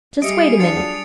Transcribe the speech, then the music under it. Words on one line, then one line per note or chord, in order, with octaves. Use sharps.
"Just wait a minute."
G3 G4 G#4 D#5 E5 D#6 C#7 D7
F#3 D4 F4 A5 A6 C#7 F7